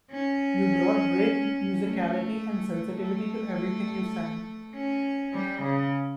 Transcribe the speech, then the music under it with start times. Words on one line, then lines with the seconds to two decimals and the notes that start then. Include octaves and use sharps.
You brought great musicality and sensitivity to everything you sang.
0.11 C#4
1.86 A3
3.01 A3
4.76 C#4
5.34 G3
5.63 C#3